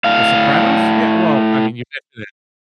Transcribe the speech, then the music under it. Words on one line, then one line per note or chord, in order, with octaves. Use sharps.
The Sopranos? Yeah, well, I mean, you mentioned it
A2 F5